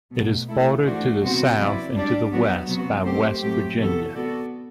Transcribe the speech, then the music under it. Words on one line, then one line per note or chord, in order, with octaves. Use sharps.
It is bordered to the south and the west by West Virginia.
B2 F#3 A3
A3 E4 A4
E3 A3 D4 F#4 C5
C3 G3 B3 F#4 C5
F#3 C4 E4 B4 D5
G3 D4 G4 D5
F#3 B3 F#4
C3 F#3 B3 F#4
A3 C4 G4 C5
A2 F#3 A3 C4 G4
C3 E3 B3 F#4 A4
B3 F#4 A4 D5